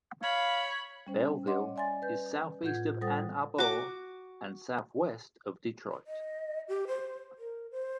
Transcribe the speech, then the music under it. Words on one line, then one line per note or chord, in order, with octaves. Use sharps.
Belleville is southeast of Ann Arbor and southwest of Detroit.
C#5 F5 B5
G3 C#4 C5
C#5 D#5 F#5 C6 D6
D5 E5 G#5 C6 A6
B4 G6
A2 F4 F#5 G6 G#6
G3 A4 C5 F#5 D#6 A6
F#4 D6
D#5
G4
C5
A#4
C5